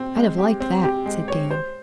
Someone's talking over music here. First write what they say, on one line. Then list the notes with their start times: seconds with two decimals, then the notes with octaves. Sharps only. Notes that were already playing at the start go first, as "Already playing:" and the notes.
'I'd have liked that!' said Dan.
Already playing: C4
0.15 G#3
0.38 G4
0.60 C4
0.83 G4
1.06 G#3
1.28 C#5
1.51 C5